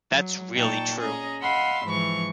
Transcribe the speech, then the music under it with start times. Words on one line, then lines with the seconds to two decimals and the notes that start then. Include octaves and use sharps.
That's really true.
0.12 F#3
0.54 A#2 D#4 G5 A5 C#6
0.98 C#4 G#4 D#5 A#5
1.40 D#5 F5 F#5 B5 C6 E6
1.85 G#2 E3 F3 C#6